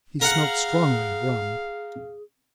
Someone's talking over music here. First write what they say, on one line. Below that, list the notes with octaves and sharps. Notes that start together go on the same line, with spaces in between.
He smelt strongly of rum.
G#4 A#4 F5 F#5